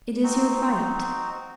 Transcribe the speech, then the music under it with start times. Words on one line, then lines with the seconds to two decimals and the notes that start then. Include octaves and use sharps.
It is your right.
0.24 C4 D#4 F#4